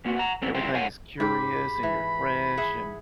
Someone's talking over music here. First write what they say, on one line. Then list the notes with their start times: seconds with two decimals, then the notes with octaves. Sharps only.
everything is curious and you're fresh and,
0.05 B2 A#3 F#4
0.16 F#5 A#5
0.42 F2 C#3 E3 G3 B3 C4
0.55 C2 F3 G3 E4 C5 G5
0.74 C5 C#5 F5 F#5 G#5
1.20 G#2 G4 B5
1.83 E3
2.57 G#4 E5 F#5